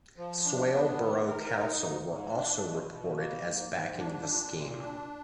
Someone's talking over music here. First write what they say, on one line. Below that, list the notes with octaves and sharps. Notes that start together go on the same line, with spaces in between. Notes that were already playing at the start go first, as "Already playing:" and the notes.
Swale Borough Council were also reported as backing the scheme.
F3
D4
B3
D#3
A#4
D#4
G#2
G#2
D4
B2
B2
A#3
G#2
G#2
D4
A#2
A#2
D4